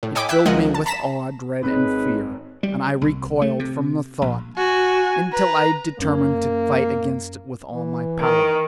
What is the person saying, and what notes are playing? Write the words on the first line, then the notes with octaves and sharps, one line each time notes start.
It filled me with awe, dread, and fear, and I recoiled from the thought, until I determined to fight against it with all my power.
A2
C#5 D#5 G5 G#5 B5 D6
E5 G5 F#6 G6 B6
C#2 F3 G#3 A#4 D#5 F#5
A5
A5 A#5 B6 E7
G#1 C4 D#4 G#4 B4 C#5 D#5
G3
C2
A3
C3
A#1
F#4 G#5
B4 A#5
F#2 A#3 C#4
E3
D#3